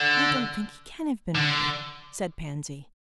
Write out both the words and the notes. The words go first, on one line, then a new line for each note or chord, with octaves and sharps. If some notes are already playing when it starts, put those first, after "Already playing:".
"I don't think he can have been ready," said Pansy.
Already playing: D3
D3